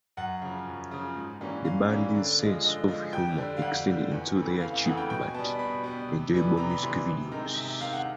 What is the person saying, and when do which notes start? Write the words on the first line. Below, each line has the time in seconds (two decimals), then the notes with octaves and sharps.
The band's sense of humour extended into their cheap but enjoyable music videos.
0.17 F#2 F#5
0.42 C#3 F3
0.67 F#2
0.91 C#3 F3
1.16 G#2
1.41 E3 G3 A#3 C#4
1.65 G#2 F5
1.89 E3 G3 A#3 C#4
2.15 D3
2.39 F3 G#3
2.64 D3 D#5
2.88 F3 G#3
3.13 F2 G5
3.38 D3 G3
3.57 F5
3.62 F2 F#5
3.87 D3 G3
4.12 E2
4.36 C#3 E3 A3 C4
4.60 E2 F5
4.73 F5
4.85 C#3 E3 A3 C4 F#5
4.97 G5
5.10 B2 G5
5.22 G#5
5.34 G3 B3 A5
5.46 B5
5.59 B2 B5
5.84 G3 B3
6.08 C3
6.33 E3 G3 B3
6.57 C3 A#5
6.70 B5
6.82 E3 G3 B3 C6
7.07 C3
7.32 D#3 G#3 C4 A#5
7.56 C3 E5
7.68 E5
7.81 D#3 G#3 C4 F5
7.93 F#5